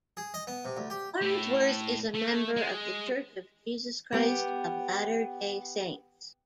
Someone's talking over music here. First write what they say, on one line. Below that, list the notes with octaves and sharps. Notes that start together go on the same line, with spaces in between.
Farnsworth is a member of the Church of Jesus Christ of Latter-day Saints.
G#4
D#5
B3
C3
D2
G4
A2
A3
G#3
B3 G4